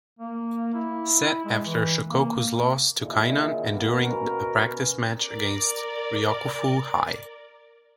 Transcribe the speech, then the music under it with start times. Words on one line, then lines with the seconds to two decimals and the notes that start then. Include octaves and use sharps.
Set after Shohoku's loss to Kainan, and during a practice match against Ryokufu High.
0.19 A#3
0.74 E4
1.45 G#3
1.65 E3
2.09 A#3
2.99 A#2 D3 D#3 E4 G#4
3.68 D#2 A#3 B3
4.01 B2 B3 C#4 A#4 B4
5.22 A#4 D5